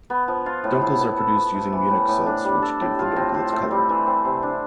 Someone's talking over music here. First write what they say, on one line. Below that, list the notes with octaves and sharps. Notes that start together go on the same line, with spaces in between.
Dunkels are produced using Munich malts which give the Dunkel its colour.
B3
F3
F4
A2
E4
B3
A4
F3
A3
E3
A2
A2
D4
G3
A4
A2
F4
C4
C5
A3
G3
E3
C4
C3
D4